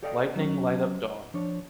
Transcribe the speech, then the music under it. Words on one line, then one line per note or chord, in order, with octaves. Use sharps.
Lightning light up dawn.
G4 A4 D5 D#5 F5 G5
F#3 C#4
F3 D4 C#5